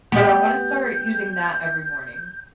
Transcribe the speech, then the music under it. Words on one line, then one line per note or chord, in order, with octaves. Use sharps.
But, I wanna start using that every morning.
B3 G4 G6